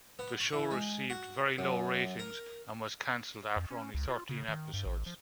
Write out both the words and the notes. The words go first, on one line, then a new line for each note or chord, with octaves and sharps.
The show received very low ratings and was canceled after only thirteen episodes.
B3
C#6
E3
G#3
F#4
F#2
A#4
F2
C#4
C#2
F4
C#3
D#3
G2
A1
F3